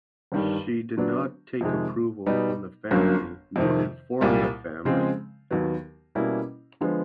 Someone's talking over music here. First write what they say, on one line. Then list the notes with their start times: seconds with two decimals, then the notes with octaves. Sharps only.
She did not take approval from the family nor informed the family.
0.32 G1 G2 D#3 G3
0.97 D3 F#3 B3 D4
1.61 F2 C3 D#3 G#3
2.26 B2 G3 B3 D#4
2.91 G1 F#2 D3 F#3 A#3
3.56 F2 C3 D#3
4.21 C2 A#2 G3 A#3
4.85 C#3 F3 G#3 C4
5.51 D#2 D#3 F#3 B3
6.15 B2 G3 A#3 C#4 E4
6.81 D3 F3 G#3 B3